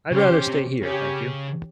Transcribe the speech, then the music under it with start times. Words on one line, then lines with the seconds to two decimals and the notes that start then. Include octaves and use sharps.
I'd rather stay here, thank you.
0.11 C#3 C#4 G4 C5
0.47 C3
0.82 C#3 C#4 G4 C#5